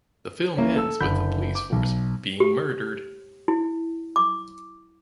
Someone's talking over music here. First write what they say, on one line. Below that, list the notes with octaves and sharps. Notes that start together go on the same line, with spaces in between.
The film ends with the police force being murdered.
E3 A#3 C#4
A4 E6
F#1 D3 B5 G6
D6
B1
G4
E4
D6